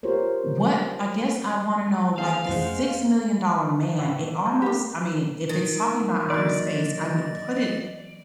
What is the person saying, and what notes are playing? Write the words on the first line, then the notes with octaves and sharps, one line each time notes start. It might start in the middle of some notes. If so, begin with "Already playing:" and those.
what I guess I wanna know, like The Six Million Dollar Man, it almost I mean, if it's talking about outer space, I would put it
F4 G4 A#4 C5 C#5
G#4 C5 D5 F5
F2 G#3 A3 C#4 C5 F#5 G#5
A2 E3
F3 F#3
D4 G4
D#3
E3 F#3 A#3 D5 D#5 A6